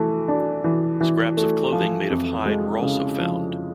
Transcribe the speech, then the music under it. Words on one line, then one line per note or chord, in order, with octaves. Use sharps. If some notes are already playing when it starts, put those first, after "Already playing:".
Scraps of clothing made of hide were also found.
Already playing: E3 A3
D4
E3
E3
A3
F3
F2
G#3
C#3
F3